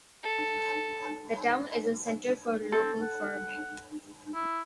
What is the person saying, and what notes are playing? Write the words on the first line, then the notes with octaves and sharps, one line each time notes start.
The town is a center for local farming.
A4
C4 A4
F#5
E4